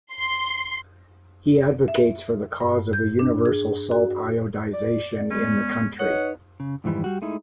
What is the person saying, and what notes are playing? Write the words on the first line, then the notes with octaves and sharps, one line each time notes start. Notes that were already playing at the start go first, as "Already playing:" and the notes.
He advocates for the cause of the universal salt iodization in the country.
C6
E5
G2
G6
D4
G#4
F#4
D5
G#3 B3 C#4 D5
D#4 B4 C#5 D#5 F#5
C#3
F2 G#2 D#3 E3 G3
G3 F#4
G#3 A3 D#4 E4